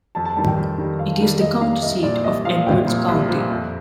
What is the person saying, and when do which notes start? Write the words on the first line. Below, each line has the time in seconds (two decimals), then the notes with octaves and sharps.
It is the county seat of Edwards County.
0.15 F2 A5
0.25 A5
0.36 D#3 G3 A5
0.47 G5
0.57 F2
0.78 D#3 G3
0.99 F2 F5
1.20 D#3 G3
1.40 F2 D#5
1.61 D#3 G3 F5
1.82 C2 D#5
2.03 A#2 F3 D5
2.24 C2 D#5
2.45 A#2 F3 F5
2.66 C2 G5
2.87 A#2 F3
3.08 C2
3.29 A#2 F3
3.50 F2